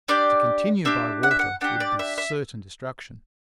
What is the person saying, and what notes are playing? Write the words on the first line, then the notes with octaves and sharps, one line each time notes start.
To continue by water would be certain destruction.
D4 G4 D5
D4 G4 E5
F#5
E5
F#5
D4 G4 F#5
D5
E5
E5